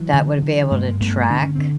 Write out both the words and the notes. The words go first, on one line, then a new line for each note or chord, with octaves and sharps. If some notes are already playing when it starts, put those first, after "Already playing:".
that would be able to track,
Already playing: E3 F#3
D3
D3
G2 G#3 A#3
G2 A3 B3
D3 D4
C#4
D3 C4